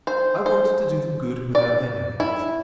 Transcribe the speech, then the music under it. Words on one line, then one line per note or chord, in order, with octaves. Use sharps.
I want to do them good without their knowing it.
C5
C5
D5
E4